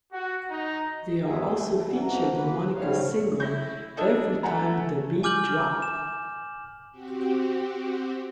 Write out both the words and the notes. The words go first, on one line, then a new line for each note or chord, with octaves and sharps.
They are also featured in Monica's single "Everytime tha Beat Drop".
F#4
D#4
E2 G2 B3 G#4 E5
A3
E3 G3 B3
D2 B2 E3 F3 F#4 A#5
A#3 B4
G#2 F3 G3 A3 C#5 F5
E4 C#6 G6 A#6
D4 D#4 A4 E5
A3 F#5 G#5 A#5
G#5 D6 F6 G6 F#7
E7
C4 F#4 G4